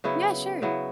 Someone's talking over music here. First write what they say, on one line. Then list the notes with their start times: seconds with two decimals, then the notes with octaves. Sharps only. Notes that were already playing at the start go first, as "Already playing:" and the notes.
Yeah, sure.
0.04 C#3 F#3 B3 E4
0.62 C#3 F#3 B3 E4